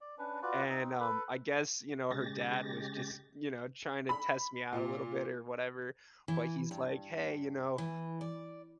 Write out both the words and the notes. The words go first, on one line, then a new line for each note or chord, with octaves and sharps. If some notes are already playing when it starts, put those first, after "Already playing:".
and, um, I guess, you know, her dad was just, you know, trying to test me out, a little bit, or whatever, but he's like, "Hey, you know?
D5
C#4 D4 B4
F4 F#4 B4 D5
C4 D#4
A4 B4 B5
C#3 G#3 G4 A6 A#6
B5
A#2
E3
G2
E3
D5